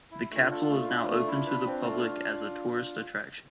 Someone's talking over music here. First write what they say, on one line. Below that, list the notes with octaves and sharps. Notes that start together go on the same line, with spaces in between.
The castle is now open to the public as a tourist attraction.
E4
A3 D4 F4
A4
A3
E4
A3
E4
B4
C4
A3